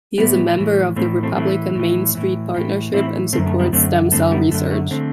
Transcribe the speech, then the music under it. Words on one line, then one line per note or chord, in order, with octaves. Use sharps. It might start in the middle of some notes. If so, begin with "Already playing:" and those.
He is a member of the Republican Main Street Partnership and supports stem-cell research.
A2 E3 G3 B3
A2 E3
A2 E3 A3 C4
A3 C4
A2 E3 A3 C4
A2 E3
A2 E3
A2 E3
A2 E3 C4 E4
F#2 D3 A3 C4
A3
G3 B3
F#2 D3 A3 C4
F#2 D3 A3 C4
G3 B3
F#2 D3 A3
A3
D3 A3 C4